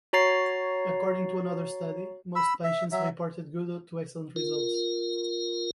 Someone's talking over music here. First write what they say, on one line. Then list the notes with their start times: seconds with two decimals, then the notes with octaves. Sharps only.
According to another study, most patients reported good to excellent results.
0.13 F#4 C#5 A#5 A6 C7
2.36 B5 E6
2.64 E5
2.92 F#3 E5
4.36 F4 A#4